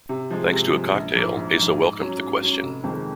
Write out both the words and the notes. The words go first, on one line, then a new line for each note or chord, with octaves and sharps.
Thanks to a cocktail Asa welcomed the question.
C3
F3 G#3
C3
F3 G#3
A#1
G#2 F3
A#1
G#2 F3
G#2
F#3 C#4
G#2
F#3 C#4
F1
F2 D#3 G#3 C4